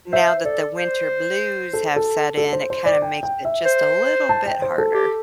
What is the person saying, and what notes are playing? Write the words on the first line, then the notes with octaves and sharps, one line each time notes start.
now that the winter blues have set in, it kinda makes it just a little bit harder.
C5 E5
A4 D5
C5
A4
A4
A4
C5
C5
D5
G5
G5
E5
C5
A5
G5
C5
A4
G4